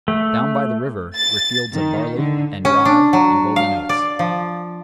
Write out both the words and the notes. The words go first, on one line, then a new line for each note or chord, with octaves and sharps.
Down by the river were fields of barley and rye and golden oats.
A3
A6
D#3
D3
C#4
D4
F#3
F5
D5
F3